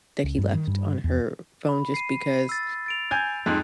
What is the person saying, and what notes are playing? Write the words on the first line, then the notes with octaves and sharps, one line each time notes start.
that he left on her phone just because
C#2
G2
D#3
G2
E2
B5
C7 D#7
E6 A6
A6 D7 F7
G#5 G6 G#6
F2 G#2 F#6